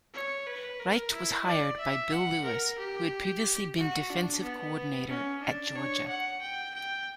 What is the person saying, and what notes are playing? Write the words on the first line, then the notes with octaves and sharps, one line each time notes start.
Richt was hired by Bill Lewis, who had previously been defensive coordinator at Georgia.
C#5
B4
A#4
E4
D5
E5
F#5
A#4
G4
F#4
D4
B3
C#4
D4
C#5
F#5
G5
G5